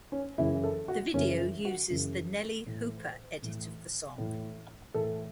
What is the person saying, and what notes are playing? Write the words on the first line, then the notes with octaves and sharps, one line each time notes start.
The video uses the Nellee Hooper edit of the song.
C#4
F#2 C#3 E3 E4
A4
F#4
F#2 C#3 E3 C#4
F#4
F#2 C#3 E3
A2 E3
A2 E3
A2 E3
A2 E3 A4